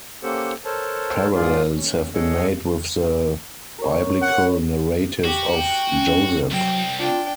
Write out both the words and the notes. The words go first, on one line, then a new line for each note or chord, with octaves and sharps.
Parallels have been made with the biblical narrative of Joseph.
A#3 C#4 G4 A4 C5 F#5
A4 A#4 C5 C#5 A5
G#2 F4 G#4 A#4 D5
C#4
G#4 A4 C#5 D#5 F#5
A#4 C#5
F#5
F#4 G4
G5
C#4
C2 F#3 C4 G5
D4 F4 G5